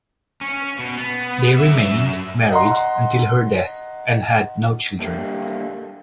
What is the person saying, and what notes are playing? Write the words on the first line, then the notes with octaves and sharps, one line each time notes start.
They remained married until her death and had no children.
C#4
B2
B3
F#2 E5
D#5 F#5 A#5 C6
G3 A3 A#3 D4 G4 A4